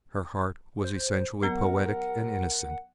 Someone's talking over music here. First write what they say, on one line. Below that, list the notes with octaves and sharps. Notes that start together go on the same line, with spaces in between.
Her heart was essentially poetic and innocent.
C5
F#3 B3 A#4 F#5 A#5